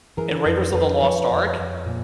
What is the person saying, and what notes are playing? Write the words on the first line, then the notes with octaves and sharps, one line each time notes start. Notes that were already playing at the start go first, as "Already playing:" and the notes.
In Raiders of the Lost Ark,
E3 G#4 A#4
F2 A4 B4
F2 A4 B4
F3 B4 C#5
F2
F2
A#2